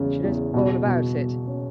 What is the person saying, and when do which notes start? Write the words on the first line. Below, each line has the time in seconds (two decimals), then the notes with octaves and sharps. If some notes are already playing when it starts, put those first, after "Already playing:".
She knows all about it.
Already playing: E2 C#3 E3
0.24 E2
0.54 B2
0.85 B2
1.16 B2
1.48 C#4